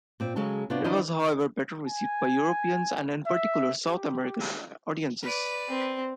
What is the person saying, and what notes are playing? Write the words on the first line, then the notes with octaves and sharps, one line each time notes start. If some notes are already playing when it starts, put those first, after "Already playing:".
It was however better received by Europeans and in particular, South American audiences.
A#2 C4
C#3 F#3 G#3 A4 A5
C3 B3 D4 F4 F#4
D#3 E3 D4 E4 C5 D#5
G#5
E5
G4
B4 D5
C4